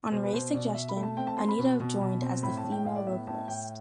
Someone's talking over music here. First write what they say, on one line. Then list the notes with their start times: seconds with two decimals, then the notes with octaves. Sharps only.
On Ray's suggestion, Anita joined as the female vocalist.
0.11 B2 C5
0.23 B4
0.33 B2 C5
0.54 B2 D5
0.74 B2 E5
0.89 B5
0.97 A3
1.03 A5
1.17 C4 G5
1.27 A5
1.38 C4 C6
1.48 B5
1.59 B2
1.80 B2
2.01 B2
2.22 C4
2.43 A2 B5
2.57 A5
2.64 A2
2.72 G5
2.85 A2 F5
2.96 D5
3.06 B3 E5
3.27 A2 A5
3.48 A2 G5